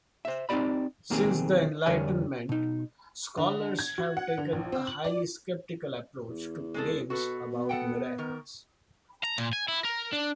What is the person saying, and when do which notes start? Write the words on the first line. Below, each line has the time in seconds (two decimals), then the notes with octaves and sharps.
Since the Enlightenment, scholars have taken a highly skeptical approach to claims about miracles.
0.25 C5 E5
0.49 C4 D#4 E4 G4 D5 B5
1.10 B1 D#3 A#3 C4 G4 G#4
1.86 F2 D3 G3 A#4 C#5 G#5
2.49 B2 D#4
3.37 D3
3.79 G#6
3.98 F#4
4.17 F#5
4.38 D3
4.52 A#1
4.72 C4
4.87 F#7
5.05 D5
6.30 E2
6.74 G#3 G#4 A4
7.10 B2 F#4 A4 B4
7.52 B3
7.69 A4 F#5 G5
8.18 D#3 A#4
9.24 A#5
9.38 A#2
9.53 G#5
9.68 E4
9.85 A#4
10.13 D4